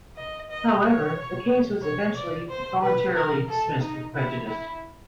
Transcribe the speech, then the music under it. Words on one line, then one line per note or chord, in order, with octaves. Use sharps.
However, the case was eventually voluntarily dismissed with prejudice.
D#5
D#5
C#5
C#5
D5
C5
B4
A#4
A4
D#4
E4
E4